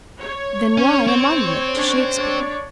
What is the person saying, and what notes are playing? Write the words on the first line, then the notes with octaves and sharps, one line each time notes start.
Then why a monument to Shakespeare?
C#5
C#4
C4
C#4 D4 C#5
D4 C#5 D5